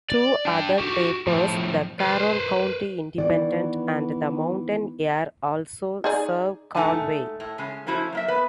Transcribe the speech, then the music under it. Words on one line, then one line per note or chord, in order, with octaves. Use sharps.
Two other papers, "The Carroll County Independent" and "The Mountain Ear" also serve Conway.
D5
D4 G5
F#4 G4
A2 F3
B4 C5
D#3 E3 B3 D5
D#4 G#4 D5
G#3 A3 D#4 F#5 G#5 A5
A2
C#3 G#3 C#4
F3 A3 C#4 E4 F#4 C5
F#3 A#3 E5
B3 B4